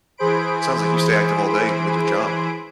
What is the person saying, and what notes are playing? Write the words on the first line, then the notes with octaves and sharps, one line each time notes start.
it sounds like you stay active all day with your job.
E3 G#4 C5 B5 D7